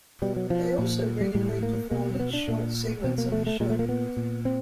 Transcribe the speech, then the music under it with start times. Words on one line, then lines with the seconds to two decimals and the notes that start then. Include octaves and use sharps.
They also regularly performed in short segments on the show.
0.22 B2 G3
0.36 F#3
0.50 F3
0.78 A#2
1.21 G3
1.35 A2 G3
1.49 A3
1.63 A#3
1.91 B2 A#3
2.15 C4
2.19 B3
2.33 D4
2.48 A#2
3.04 B2 C4
3.18 A#3
3.32 A3
3.47 A3
3.60 A#2 G#3
3.70 A3
3.79 A#3
3.89 B3
4.17 A#2
4.45 C4